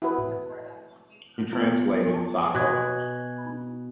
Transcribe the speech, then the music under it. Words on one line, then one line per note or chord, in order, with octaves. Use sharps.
He translated Sappho.
E4 F#4 B4
B3 F4
B2 G#5 F#6 G#6